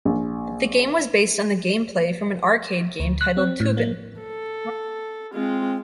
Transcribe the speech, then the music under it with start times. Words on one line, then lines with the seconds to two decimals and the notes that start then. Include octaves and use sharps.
The game was based on the game play from an arcade game titled "Toobin'".
0.05 A#1
3.00 D2
3.21 F#6
3.37 C4
3.60 A2
3.77 A#3
4.20 A4
5.34 G#3 C4 F4